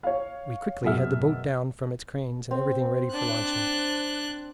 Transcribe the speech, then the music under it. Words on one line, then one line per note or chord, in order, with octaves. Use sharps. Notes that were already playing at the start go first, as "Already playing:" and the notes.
We quickly had the boat down from its cranes, and everything ready for launching.
C#5 F5
F#2 B2 G#4 E5 F6
C4
D4 F#6